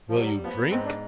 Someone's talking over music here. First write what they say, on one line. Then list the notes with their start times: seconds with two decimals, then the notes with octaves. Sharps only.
"Will you drink?"
0.09 F3
0.16 F#3 G3
0.44 F3 B3
0.57 F#3
0.70 G#2 C4
0.85 D4